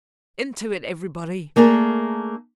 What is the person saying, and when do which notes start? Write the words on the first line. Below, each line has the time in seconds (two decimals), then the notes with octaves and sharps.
"Into it, everybody!"
1.56 A3 A#3 D4 G#4 A#4